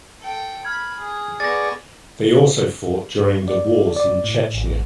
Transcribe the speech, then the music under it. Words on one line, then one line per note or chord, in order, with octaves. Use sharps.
They also fought during the wars in Chechnya.
A4 G5
B5 F6 G#6
G#4
B3 G#4 D5 C#6 A6 A#6
D5
D5
A2
A1